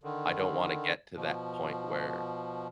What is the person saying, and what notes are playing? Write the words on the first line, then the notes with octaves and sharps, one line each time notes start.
I don't wanna get to that point where"
D3 D#3
B2 F3